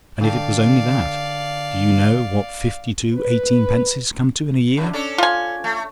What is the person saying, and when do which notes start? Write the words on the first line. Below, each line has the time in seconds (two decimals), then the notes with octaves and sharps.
And if it was only that,--do you know what fifty-two eighteenpences come to in a year?
0.21 D3 D5 F5 G5 A5
3.13 B4
4.77 F#2 D3
4.93 C#4 D4 A4
5.18 F4 G#5
5.64 A3